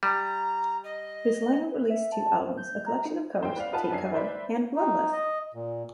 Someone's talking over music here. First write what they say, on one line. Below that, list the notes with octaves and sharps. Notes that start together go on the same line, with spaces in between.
This line-up released two albums, a collection of covers "Take Cover" and "Blood Lust".
G3 A#5
D#5
B4
E5
A5
C5
G6
A#5
D#4
E2 C5 G5
B4 D5 F5
D#4 F4 B4 F#5 A5
F#2 D4 G#5 C7
B4 C5 D5 E5 B5
D#4
D#5
A#2